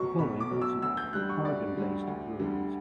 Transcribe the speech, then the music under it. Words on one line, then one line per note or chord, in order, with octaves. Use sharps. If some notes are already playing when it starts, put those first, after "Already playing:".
The following are some Oregon-based breweries.
Already playing: B1 B2 F#3 C#6
B1 B5
D6
B2 F#3
E6
D2 E6
G6
D3 G3 F#6
C#6
D2 D5
D3 G3
D2
D3 G3